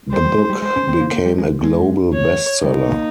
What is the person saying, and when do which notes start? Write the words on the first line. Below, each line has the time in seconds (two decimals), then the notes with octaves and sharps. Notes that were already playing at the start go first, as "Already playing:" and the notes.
The book became a global bestseller.
0.12 G3 C5
0.25 G3
0.38 G#3
0.50 G3
0.62 G#3 C5
0.76 C#4
0.88 C4
1.00 A#3
1.13 A#3
1.26 G3
1.38 G#3
1.63 G#3
2.13 C#5
2.63 G3 D#4
2.88 A#3